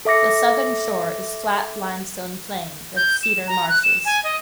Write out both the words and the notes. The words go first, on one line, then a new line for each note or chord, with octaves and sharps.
The southern shore is flat limestone plain, with cedar marshes.
A4 E5 D6 A#6 C#7
G6
E7
A#5
F#6
E7
G#5
D#5